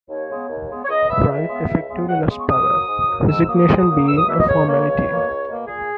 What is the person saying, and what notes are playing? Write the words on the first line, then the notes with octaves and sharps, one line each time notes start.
Wright effectively lost power, the resignation being a formality.
D#2 C#5
C#3 G#3 B3
D#2
C#3 G#3 B3
C#5
C#2 D#5
C#3 G#3 B3 E5
C#2 E5
C#3 G#3 B3
C#2
C#3 G#3 B3
C#2 F#5
C#3 G#3 B3
C#6
G#2 D#6
F#3 A#3
G#2
F#3 A#3
G#2 E6
F#3 A#3 D#6
G#2
F#3 A#3
C#2 E6
D#6
B2 A#3 E5
D#5
C#2 C#5
B2 A#3 C#5
C#2
B2 A#3
C#2
B2 A#3
A#2 G#4